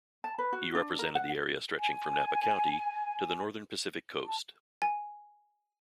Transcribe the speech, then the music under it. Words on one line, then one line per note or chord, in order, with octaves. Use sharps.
He represented the area stretching from Napa County to the northern Pacific coast.
A5
B4
F#4
D4
A#4
F#5
G#5
A5
G#5